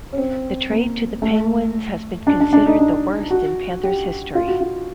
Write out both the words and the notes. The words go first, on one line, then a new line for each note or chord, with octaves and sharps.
The trade to the Penguins has been considered the worst in Panthers history.
C#4
C4
A#3
A3
D4
D4
D4
D#4
D4
F#4
G4
F4
F#4
F4